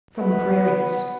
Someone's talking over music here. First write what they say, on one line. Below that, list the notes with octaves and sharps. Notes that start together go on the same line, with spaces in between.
From the prairies.
B3